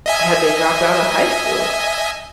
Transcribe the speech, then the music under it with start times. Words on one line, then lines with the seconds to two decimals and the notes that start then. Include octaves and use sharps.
had they dropped outta high school?
0.06 D#5 E5 G#5